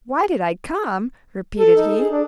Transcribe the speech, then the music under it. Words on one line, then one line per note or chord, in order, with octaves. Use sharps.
"Why did I come?" repeated he.
A4
D#4
G#4
D4